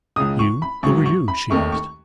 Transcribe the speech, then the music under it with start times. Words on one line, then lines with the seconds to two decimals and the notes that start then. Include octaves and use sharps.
'You--who are you?' she asked.
0.16 C#2 C#3 G#3 D#6
0.39 C#6
0.62 B5
0.83 A1 G#2 F#3 C#6
1.06 C#6
1.28 B5
1.50 D#2 D#3 A3 D#4 C#6
1.72 C#6